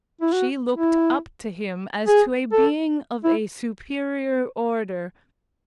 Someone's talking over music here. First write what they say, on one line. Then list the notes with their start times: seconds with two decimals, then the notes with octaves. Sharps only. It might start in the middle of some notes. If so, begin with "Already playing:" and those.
She looked up to him as to a being of a superior order.
0.22 E4
0.33 F#4
0.77 E4
2.08 G#4
2.53 A4
3.24 E4